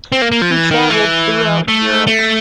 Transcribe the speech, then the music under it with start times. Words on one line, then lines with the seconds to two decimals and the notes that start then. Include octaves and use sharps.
He traveled throughout Europe.
0.12 C4
0.22 A#3
0.32 A#3
0.42 F3
0.51 E3
0.71 D#3
0.90 E3
1.68 A3
2.07 A3